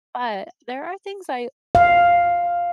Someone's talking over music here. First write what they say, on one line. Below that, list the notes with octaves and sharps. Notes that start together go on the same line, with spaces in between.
but there are things I
F5